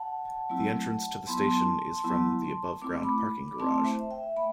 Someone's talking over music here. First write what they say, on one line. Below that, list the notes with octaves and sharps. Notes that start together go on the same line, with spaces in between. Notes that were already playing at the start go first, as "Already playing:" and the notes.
The entrance to the station is from the above ground parking garage.
Already playing: F#5 A5
F#3 A3 C4 E4
F#3 B3 E4 A5 C6
F#3 B3 E4
A3 C4 E4 D6
B5 D6
D6
A3 C4 E4 A5 C6
C5 E5
E5 G5
A3 G5 B5